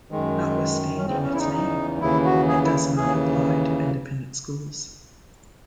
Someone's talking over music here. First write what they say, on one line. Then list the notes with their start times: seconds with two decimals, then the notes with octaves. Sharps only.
Notwithstanding its name, it does not apply to independent schools.
0.11 F#2 D#3 G#3
0.97 C#4
1.07 E2 C#3 E3 C4
1.22 C#4
1.34 E4
1.38 D#4
1.53 D#4
2.01 D#2 C#3 E3 E4
2.25 F#4
2.48 G#4
2.65 E4
2.96 D#2 C#3 E3 G#4